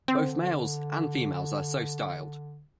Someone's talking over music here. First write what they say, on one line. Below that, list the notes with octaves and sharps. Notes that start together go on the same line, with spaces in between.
Both males and females are so styled.
D3 C4